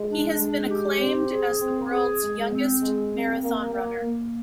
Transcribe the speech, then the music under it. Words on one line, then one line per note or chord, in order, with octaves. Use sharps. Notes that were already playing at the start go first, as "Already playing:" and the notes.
He has been acclaimed as the world's youngest marathon runner.
Already playing: G#3
D4
G#3
G4
C4
G#4
C4
G#4
G#3
C4
G#3
C4
A#3
A#3
A#3